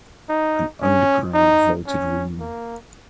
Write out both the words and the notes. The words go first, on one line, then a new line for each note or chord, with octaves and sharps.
An underground vaulted room.
D#4
C#4
D#4
C#4
A#3